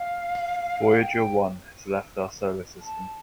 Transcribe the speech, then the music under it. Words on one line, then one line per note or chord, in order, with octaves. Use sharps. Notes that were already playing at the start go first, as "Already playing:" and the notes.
Voyager One has left our solar system.
Already playing: F5
G5
A5